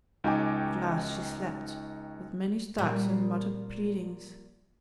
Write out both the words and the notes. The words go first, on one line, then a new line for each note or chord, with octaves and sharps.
At last she slept; with many starts, and muttered pleadings.
C#2 D#4 F#4 G5 G#5 D6
A#2 G3 C4